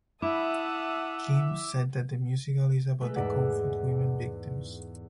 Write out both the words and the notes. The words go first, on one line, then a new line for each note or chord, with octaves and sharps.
Kim said that the musical is about the comfort women victims.
E4 E5 F#5 A5 D6 D#6
G#3 A3 B4
E2 G#2 D5 E5 F#5 B6